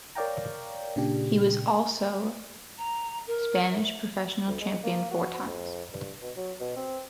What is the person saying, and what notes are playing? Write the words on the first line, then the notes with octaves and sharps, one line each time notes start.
He was also Spanish professional champion four times.
A#4 C#5 D5 F5 G5 A#5
A#2 C#3 D4 G4
A#5
A#4
E5
D2
G#3
A#3
F#4
F2
G2
B2
F#3
B2
C4